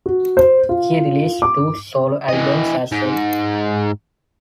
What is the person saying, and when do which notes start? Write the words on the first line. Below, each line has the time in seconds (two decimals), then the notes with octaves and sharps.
Key released two solo albums as well.
0.06 F#4
0.37 C5
0.69 F4
1.42 D6
2.29 E3 D#5
2.92 G#2